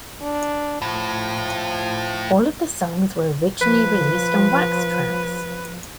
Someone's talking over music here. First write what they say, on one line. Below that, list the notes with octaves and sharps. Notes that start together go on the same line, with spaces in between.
All of the songs were originally released on Wax Trax!
D4
A2 F3
F3 B4